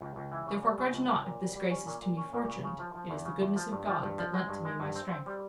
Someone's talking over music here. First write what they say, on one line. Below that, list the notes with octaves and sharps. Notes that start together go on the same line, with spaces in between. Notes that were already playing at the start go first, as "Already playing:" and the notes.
Therefore grudge not if this grace is to me fortuned, it is the goodness of God that lent to me my strength.
C#2
C#2
E3
C#3
G3
C#3
C#2
C#2
A#2
G3
G3
C#4
A#2
A#2
C#4
A#2
C#3
C#3
F3
F3
E2
C#3
E2
F3
G2
F3
G2
F3
G#3
G2
G#3
G2
C4
C4
G3